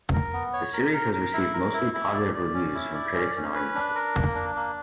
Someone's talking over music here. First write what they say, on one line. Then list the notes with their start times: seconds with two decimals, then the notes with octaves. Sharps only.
The series has received mostly positive reviews from critics and audiences.
0.13 A#4
0.33 B3
0.53 C#5
0.73 A#4
0.94 A#4
1.14 A#4
1.33 E4
1.54 A#4
1.74 E4
1.94 E4
2.14 D5
2.34 D5
2.54 C#4
2.75 E4
2.94 D5
3.15 C#4
3.35 C#4
3.55 B4
3.75 D4
3.95 A#4
4.15 A#3
4.35 D4
4.56 A#3